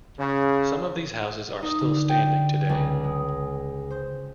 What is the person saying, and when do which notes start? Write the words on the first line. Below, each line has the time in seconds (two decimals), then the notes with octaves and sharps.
Some of these houses are still standing today.
0.18 C#3
1.62 D#4
1.81 D3
2.09 G5
2.69 C#2
3.04 G#3
3.91 C5